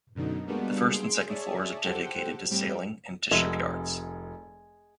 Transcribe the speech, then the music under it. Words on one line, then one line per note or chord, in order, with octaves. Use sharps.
The first and second floors are dedicated to sailing and to shipyards.
F#2 B2 D3 D#4
G3 G#3 A#3 B3 D4 F#4
G#4 C6 D7
G#4 C#5 D5 E5 A5
G4 A4 C5 F#5 G5
A2 G3 C4 G4
F1 G#3 E5